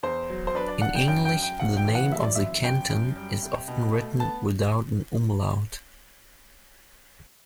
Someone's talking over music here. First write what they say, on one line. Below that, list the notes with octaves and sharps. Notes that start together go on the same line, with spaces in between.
In English the name of the canton is often written without an umlaut.
E2 C5
F#3
C5
D4 B4
D5
D4 F#5
G5
F#2 G5
G5
F#2
G5
B1 F#5
G5
E3
F#5
F#3 E5
D5
G1 E5
F#2 G5
F#2
G3
C2
B2
A3
B3 A5